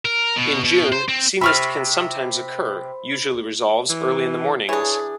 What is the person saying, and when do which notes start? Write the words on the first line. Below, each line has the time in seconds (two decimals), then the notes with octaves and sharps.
In June sea mist can sometimes occur usually resolves early in the mornings.
0.05 A#4
0.37 B2
0.64 B2
0.93 C5
1.09 C4
1.41 C3 E5 B5 C#6 F6
3.90 E3
4.69 E3 D4 G#4 C#5